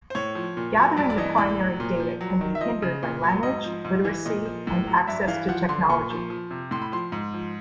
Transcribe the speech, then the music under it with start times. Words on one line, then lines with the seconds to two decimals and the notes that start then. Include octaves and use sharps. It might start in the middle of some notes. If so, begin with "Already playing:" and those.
Gathering the primary data can be hindered by language, literacy and access to technology.
0.10 C5
0.15 A2 C#5
0.35 F3
0.57 A#2
0.77 F#3
0.97 G2 D5
1.10 D5
1.18 E3 D#5
1.38 A2 D5
1.59 F#3
1.80 A#2
2.00 F3
2.21 F#3
2.41 D#3
2.55 E5
2.61 F3 D#5
2.82 C#3
3.03 A#2
3.24 F#3
3.43 G#2 D#5
3.64 F3
3.85 G#2
4.05 E3
4.25 A#2 D#5
4.45 F3
4.67 A2
4.87 F#3
5.07 G2 E5
5.28 E3 F5
5.48 F3 F#5
5.69 D3 C6
5.89 A#2 C#6
6.10 F3
6.30 F3
6.51 C3
6.71 A2 C6
6.82 B5
6.92 F3 C6
7.12 G#2
7.34 F3